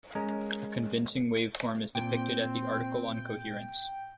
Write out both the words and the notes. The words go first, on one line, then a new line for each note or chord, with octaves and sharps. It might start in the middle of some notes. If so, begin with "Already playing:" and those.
A convincing waveform is depicted at the article on coherence.
G#3 C#4 A#4
A#2 C4 G5